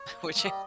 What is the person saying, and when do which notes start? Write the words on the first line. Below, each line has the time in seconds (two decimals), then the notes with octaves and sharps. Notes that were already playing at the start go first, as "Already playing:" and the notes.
Would you?
Already playing: C#5
0.09 A#3
0.26 A#3
0.38 E5
0.44 G3 D#5